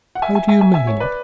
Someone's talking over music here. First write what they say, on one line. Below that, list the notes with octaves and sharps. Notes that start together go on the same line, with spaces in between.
"How do you mean?"
F#5
E5 G#5
E5 G#5
E5 G#5
E5 G#5
E5 G#5
C#5
B4 D5